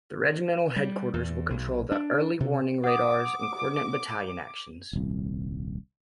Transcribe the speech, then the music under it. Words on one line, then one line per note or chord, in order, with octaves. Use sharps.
The regimental headquarters will control the early-warning radars and coordinate battalion actions.
G3
E2
B1
D4
C3
F#5 D6 D#6
D#1 C2